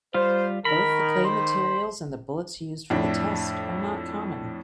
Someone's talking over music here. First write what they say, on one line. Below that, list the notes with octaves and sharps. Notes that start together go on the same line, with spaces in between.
Both the clay materials and the bullets used for the test are not common.
G3 F4 C5
D#3 A#4 B5
C5
F2 A2 D4